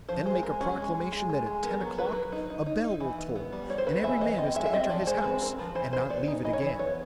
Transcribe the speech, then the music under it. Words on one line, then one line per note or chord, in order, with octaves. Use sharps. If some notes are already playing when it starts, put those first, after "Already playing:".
Then make a proclamation that at ten o'clock a bell will toll, and every man is to enter his house, and not leave it again.'
F3 C5
G#3 C5
G#3 A#4
C#4 G#4
G#3
G#3
G#3
G#3
G#3
B3 A#4
F#3
F#3 B4
A#4
F#3 B4
D#4
D#4
D#4
D#4
E3
B3
B3
G3
G3 C#5
C5
B3 B4
E3 E5
B3 D#5
C4 D#5
G#3 E5
E5
C4 D#5
F3 D5
G#3 C5
C4 B4
C4 A#4
F3 B4
E3 C5
E3 C5
B3 D5
D#4
E3 D#5
C#5
E3 D5
B3 C#5